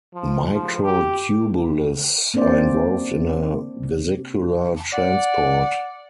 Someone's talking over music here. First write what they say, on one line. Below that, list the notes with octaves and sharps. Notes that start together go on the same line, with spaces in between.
Microtubules are involved in vesicular transport.
F3
F3
G4
A#3 C4 D4 C5 D5
C3
D5 F#5